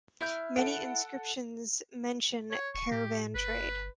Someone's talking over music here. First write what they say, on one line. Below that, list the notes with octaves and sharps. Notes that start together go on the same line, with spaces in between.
Many inscriptions mention caravan trade.
E4 F6 G6
A4 F#5 D7
C#5
D1 C#6
A2 G4
G1 B4